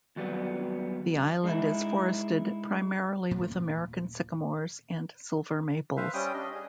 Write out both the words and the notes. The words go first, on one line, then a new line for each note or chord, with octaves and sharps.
The island is forested primarily with American sycamores and silver maples.
D#2 F#3 G3 B3
G#3 D#4 E4
D#1 A#2 A3
B4 C5 E5 F5
G3 C#4 G5 D#6
D4 D#5
G#4